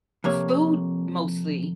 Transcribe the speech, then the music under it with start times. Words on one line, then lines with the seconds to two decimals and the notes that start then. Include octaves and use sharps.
food mostly.
0.24 F2 C3 A#3 C#5